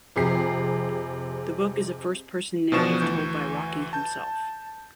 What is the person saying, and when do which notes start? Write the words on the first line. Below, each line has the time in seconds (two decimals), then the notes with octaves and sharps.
The book is a first-person narrative told by Rocky himself.
0.16 F2 C3 G#4 C7
2.72 B2 E3 F3 D4 C#6 E7
3.00 D2 E3 C#6 G6
3.93 A5 G6